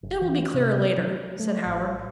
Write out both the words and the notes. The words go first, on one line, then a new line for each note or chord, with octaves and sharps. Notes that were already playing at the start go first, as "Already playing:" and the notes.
"It will be clearer later," said Howard.
F#1
E3
C3
F#3
A3
A1